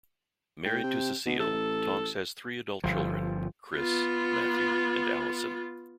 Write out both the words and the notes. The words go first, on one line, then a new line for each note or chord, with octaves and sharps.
Married to Cecile, Tonks has three adult children, Chris, Matthew, and Alison.
A2 G5
C3
B2
A1 A4
G1 F3
B3 F4